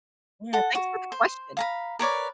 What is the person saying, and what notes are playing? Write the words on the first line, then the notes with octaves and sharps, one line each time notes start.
Yeah. Thanks for the question.
A4 F#5
F#4
C5
F5 A#5 B5
A#4 B4 C#5 D5